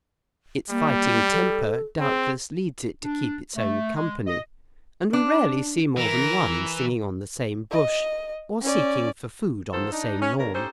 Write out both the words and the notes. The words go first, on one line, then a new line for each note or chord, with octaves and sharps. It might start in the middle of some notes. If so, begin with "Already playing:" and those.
Its fighting temper doubtless leads it to keep its own company, and we rarely see more than one singing on the same bush, or seeking for food on the same lawn.
G3 A#3
A4
C4 G#4
D4
A3
G#3
D#5
D4
E3 A#4
D#5
C#4 D5
D#3 E3 B3 F4 A4 C5
D4 D#4
C#4
B2 D3 G3 F#4 A#4 C#5
C#4 D#4 G4 A4 C5